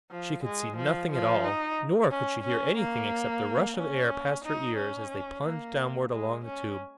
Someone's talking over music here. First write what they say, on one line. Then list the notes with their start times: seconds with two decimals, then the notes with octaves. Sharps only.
She could see nothing at all, nor could she hear anything except the rush of air past her ears as they plunged downward along the Tube.
0.11 F3
0.44 G#3
0.77 F3
1.11 F3
1.44 D#4
2.11 C#4
2.43 C#4
2.77 A#3
3.77 C#4
4.45 D#4
4.77 C#4
5.43 A#3
6.11 G#3
6.45 C#4